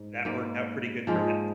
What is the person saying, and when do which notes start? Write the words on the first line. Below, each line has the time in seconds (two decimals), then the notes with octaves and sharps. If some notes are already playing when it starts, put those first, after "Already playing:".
that worked out pretty good for him.
Already playing: G#2
0.25 G#2 G3 A#3
1.07 G#2 F3 G#3 D#4